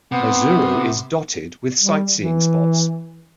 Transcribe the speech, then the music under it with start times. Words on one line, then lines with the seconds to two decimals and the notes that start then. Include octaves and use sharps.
Maizuru is dotted with sightseeing spots.
0.12 C3 B3
1.81 G3
2.15 E3